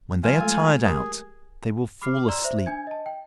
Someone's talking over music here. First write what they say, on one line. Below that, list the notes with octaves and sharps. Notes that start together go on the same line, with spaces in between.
When they are tired out, they will fall asleep.
F3 G3 F4 G#5
G#3 A3 A4
G4 G#4 A#4
B5 D6 F6 C7
D5 A#5 C6 E6 E7
C5 E5
D4 G#5 G#6
D#5 A5
G5